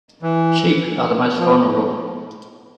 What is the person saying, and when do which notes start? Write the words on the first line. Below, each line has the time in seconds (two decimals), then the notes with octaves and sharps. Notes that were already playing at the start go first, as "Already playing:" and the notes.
Sheep are the most vulnerable.
0.23 E3
1.39 F3